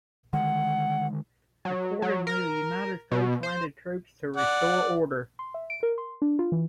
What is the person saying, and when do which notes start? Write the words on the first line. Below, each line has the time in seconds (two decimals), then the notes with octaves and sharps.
Accordingly, the United States landed troops to restore order.
0.33 D3 D#3 G#3 F#5
1.65 F#3
2.02 F#3
2.27 A#4
3.11 B2
3.43 C5
4.36 D5 F#5
5.39 C6
5.54 E5
5.70 D7
5.83 A#4
5.98 C6
6.22 D4
6.39 F4
6.52 E3